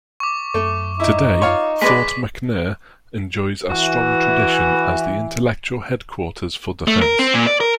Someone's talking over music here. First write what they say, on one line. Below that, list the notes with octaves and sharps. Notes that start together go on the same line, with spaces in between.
Today, Fort McNair enjoys a strong tradition as the intellectual headquarters for defense.
C#6 D6
F#2 A3
D#4 E4
F4 C#5
G#3 B4 D5 B6
E3 F#4
A3
A#4
C4
A#2
D5
A#4